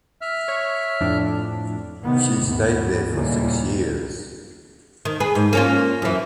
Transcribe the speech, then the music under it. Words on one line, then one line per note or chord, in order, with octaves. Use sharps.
She stayed there for six years.
E5 F6
C#5
F2 A2 D4
C3 D#3 B3
D#2 G#2 C3 B3
D#2 A#2 C#3 E3 G3 A#3
D#3
G#4 B4
G#2
A#3 C#4 F4
F#2 E3